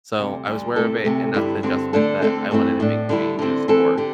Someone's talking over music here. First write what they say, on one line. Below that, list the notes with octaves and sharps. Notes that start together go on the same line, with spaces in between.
So, I was aware of it, and that's the adjustment that I wanted to make changes for
D2 C3 G3
D2 D3 G3
C3 A3 E4 A4
D2 C3 A3
G2 D3 G3 E4 G4
G2 D3 C4 G4
D3 A3 D4 A4
D3 A3 C4 A4
G2 E3 A3 C4 E4
A2 A3 D4
D3 G3 E4
D3 C4 E4
E3 C4 A4
D3 G4